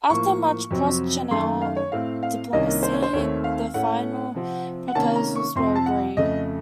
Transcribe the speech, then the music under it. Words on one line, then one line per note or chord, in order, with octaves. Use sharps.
After much cross-Channel diplomacy the final proposals were agreed.
A2 F3 A#3 C#6
F2 C3 F#3 C4
F#2 D#3 A3 C6
F5
C#5
A2 A3 C4 F5
F5
C2 C3 D#3 A#3 C#4 D#5
C5
C#5
C5
D#2 D#3 A3 C4 C#5
F5
A2 A3 C#4 F#5
C3 F3 C4
F#5
C3 D#3 A#3 C#4 A5
A#5
C#6
F2 C3 F3 C4 C6
A5
F#5
F2 C#3 A3 D#5